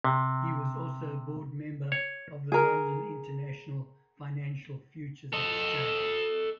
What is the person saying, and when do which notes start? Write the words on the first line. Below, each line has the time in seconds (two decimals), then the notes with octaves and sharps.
He was also a board member of the London International Financial Futures Exchange.
0.04 C3
1.92 C#5
2.52 G#4 A#4
5.33 A4 D#5